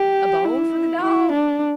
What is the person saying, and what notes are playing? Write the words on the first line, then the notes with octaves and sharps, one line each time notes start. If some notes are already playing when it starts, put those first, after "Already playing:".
A bone for the dog?
Already playing: G4
E4
E4
D4